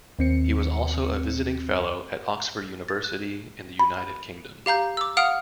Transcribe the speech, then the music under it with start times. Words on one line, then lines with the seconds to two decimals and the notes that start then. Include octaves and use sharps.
He was also a visiting fellow at Oxford University in the United Kingdom.
0.19 D#2 C4 C#7
2.89 A6
3.04 F#6
3.79 B5
4.66 G4 F5 A#5 G6
4.97 D6 E6
5.17 F5 F#5 D#6 F6 D7 F7